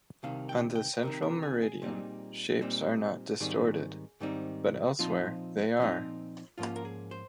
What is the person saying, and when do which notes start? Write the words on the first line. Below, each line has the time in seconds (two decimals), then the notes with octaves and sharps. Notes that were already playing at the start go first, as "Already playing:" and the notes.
On the central meridian, shapes are not distorted, but elsewhere they are.
0.23 C2 C3 D#3 F5
0.49 G5
0.76 G5
1.03 C2 C3 D#3 A#4
1.23 A#4
1.43 G#4
1.62 G#4
1.82 A#2 G3 C4 D#4
2.62 A#2 G3 C4 D#4
3.40 G#2 D#3 G3 C4 D#4 G#4
4.20 G#2 D#3 G3 C4 D#4
4.99 A#2 F3 C4 D#4 F4
5.79 A#2 F3 C4 D#4
6.58 G#2 F3 A#3 C#4 F4
6.76 A#4
6.85 G#4
7.11 C5